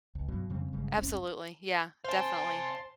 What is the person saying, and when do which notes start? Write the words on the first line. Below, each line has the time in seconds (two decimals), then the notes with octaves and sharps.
Absolutely, yeah, definitely.
0.15 C#2
0.28 G2 B2 F#3
0.49 F2 C#3 G3 C4
0.73 G1 C#3 G3 G#3
0.97 F1 C2 C4 C#4
2.05 C5 F5 G#5 A5 C6